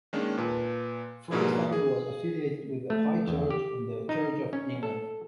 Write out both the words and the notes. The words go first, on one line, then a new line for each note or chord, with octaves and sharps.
Fry's family was affiliated with the "High Church" in the Church of England.
D#3 G#3 A#3 C#4 D4
A#2 B4 A5
G#2 B2 A#3 D4 E4 G#4
G#4
A3
E2
G4
D#4
C#4
A4